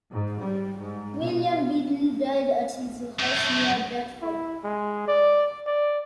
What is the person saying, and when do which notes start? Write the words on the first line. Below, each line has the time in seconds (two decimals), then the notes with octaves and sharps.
William Bedle died at his house near Dartford.
0.12 G#2
0.42 G3
0.78 G#2
1.20 B2
3.19 F#2 A3
4.22 E4
4.64 G#3
5.08 D5
5.67 D5